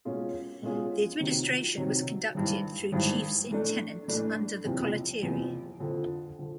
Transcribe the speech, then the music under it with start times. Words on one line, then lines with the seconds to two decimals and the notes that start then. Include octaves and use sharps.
The administration was conducted through chiefs-in-tenant under the Kolattiri.
0.05 B2 G#3 C#4 F4 G#4
0.62 B2 G#3 C#4 F4 G#4
1.20 C3 D#3 F#3
1.77 C3 D#3 F#3
2.35 G#1 G2 E3
2.92 G#1 G2 E3
3.51 A2 E3 A3 D4
4.08 A2 E3 A3 D4
4.65 F#1 E2 C3 F3
5.23 F#1 E2 C3 F3
5.80 F2 D3 F3
6.39 D3 F3